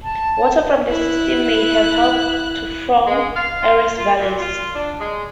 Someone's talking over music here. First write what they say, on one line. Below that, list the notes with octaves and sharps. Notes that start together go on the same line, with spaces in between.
Water from this system may have helped to form Ares Vallis.
A5
E4 F#6
G#3
F5
F4
F4
A#2
F4
D4
G#3